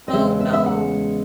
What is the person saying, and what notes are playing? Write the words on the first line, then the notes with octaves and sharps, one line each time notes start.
Oh no.
D#5
E2 C#3 G#3 C#4 E5
E5
E5
F#5